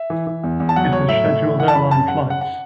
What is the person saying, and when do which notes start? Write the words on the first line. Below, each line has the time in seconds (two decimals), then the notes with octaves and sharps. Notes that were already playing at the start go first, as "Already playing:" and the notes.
It has scheduled airline flights.
Already playing: E5
0.10 E3
0.27 E3
0.44 E2
0.60 E2
0.69 A5
0.76 F#3 F#5
0.92 F#3 C#5
1.09 A2 E5
1.25 A2
1.43 E3
1.59 E3 F#5
1.68 A5
1.75 F#2 B5
1.91 F#2 A5
2.08 C#3 F#5
2.24 F#2
2.30 F#5
2.41 F#5